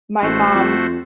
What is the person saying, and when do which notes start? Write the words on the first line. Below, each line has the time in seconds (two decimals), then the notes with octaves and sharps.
my mom
0.22 A1 A3 F#4 C5
0.54 F2